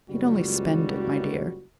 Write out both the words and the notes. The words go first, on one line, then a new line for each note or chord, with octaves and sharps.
"He'd only spend it, my dear."
F#1 C#2 G3 F#4